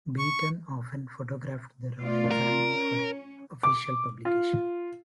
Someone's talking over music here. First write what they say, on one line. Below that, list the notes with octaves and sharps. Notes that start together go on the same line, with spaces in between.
Beaton often photographed the Royal Family for official publication.
C#6
A3 F4 D5
A#4
C#4
D6
F4